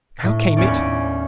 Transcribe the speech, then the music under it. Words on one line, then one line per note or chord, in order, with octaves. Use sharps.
How came it?
A2
D#2 B3 C#4 D5